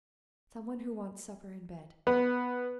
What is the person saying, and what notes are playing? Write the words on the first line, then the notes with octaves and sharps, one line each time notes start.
"Some one who wants supper and bed."
B3